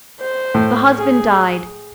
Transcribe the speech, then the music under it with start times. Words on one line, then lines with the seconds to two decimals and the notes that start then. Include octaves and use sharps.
The husband died.
0.21 C5
0.55 A2
0.99 G#4